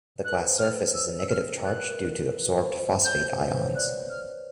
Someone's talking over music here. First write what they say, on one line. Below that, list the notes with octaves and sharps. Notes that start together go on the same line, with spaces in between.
The glass surface has a negative charge due to adsorbed phosphate ions.
B4 F#6
C#5
C5
C#5 F6
B4
C5
E6
E6
F6
A#4
B4 F#6
B4
A#4
A4
B4
C5
C5
C#5 G6
C5
B4
C5
C#5
C#5
D5 F#6
F6